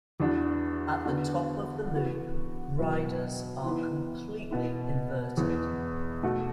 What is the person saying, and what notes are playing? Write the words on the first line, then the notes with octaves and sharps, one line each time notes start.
At the top of the loop, riders are completely inverted.
E2 E3 D4 F#4
D3 B3 D4 F#4
E3 B3 F#4
B2 F#3 B3 E4
E3 B3 E4
B2 B3 E4
E2 E3 B3
B2 A3 F#4